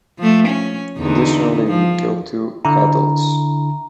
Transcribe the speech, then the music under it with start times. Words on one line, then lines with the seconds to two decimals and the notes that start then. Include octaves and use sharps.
Additionally, he killed two adults.
0.18 F3 A3
0.47 C#4
0.98 E2 D3 D#4
1.67 F3
2.65 D3 E4 A#5